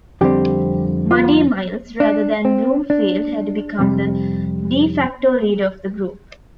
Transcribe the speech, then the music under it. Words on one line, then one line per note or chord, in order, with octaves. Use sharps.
Buddy Miles, rather than Bloomfield, had become the "de facto" leader of the group.
F2 D3 G3 C4 G4
F4
D4
C4
D4
F2 C3 G3